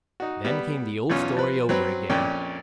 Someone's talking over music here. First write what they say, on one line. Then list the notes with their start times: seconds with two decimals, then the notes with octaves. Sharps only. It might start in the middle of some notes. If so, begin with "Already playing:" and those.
Then came the old story over again.
0.20 D#4 F#4
0.45 G3 B3
1.10 B1 E2 C#4 F4
1.37 F3 B4
1.69 F#3 C4 B4
2.10 A#1 F2 A#2 C#4 D5 G5